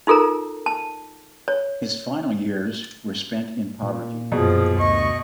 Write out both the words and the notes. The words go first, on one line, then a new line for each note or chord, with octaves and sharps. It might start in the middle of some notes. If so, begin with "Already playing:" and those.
His final years were spent in poverty.
D#4 F4 A4 A#4 A#5
A5
C#5
A#2
F#2 B2 F3 G#4
D2 D#5 C#6